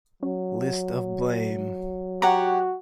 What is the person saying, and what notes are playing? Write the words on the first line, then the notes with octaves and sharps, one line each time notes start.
List of Blame!
F#3 C#4
F#4 G4 C#5 F#5 A#5